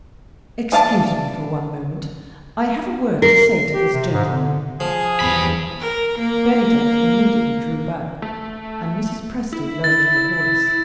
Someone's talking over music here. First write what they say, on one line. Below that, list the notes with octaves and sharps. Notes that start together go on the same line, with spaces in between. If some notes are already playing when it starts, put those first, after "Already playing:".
"Excuse me for one moment; I have a word to say to this gentleman." Bennydeck immediately drew back, and Mrs. Presty lowered her voice.
E3 D4 F5 A5
A#4 C7
G4
C3
G#2
D3
F3 G#4
E2 G2 B5
A#4
A#3
A3
E4
A6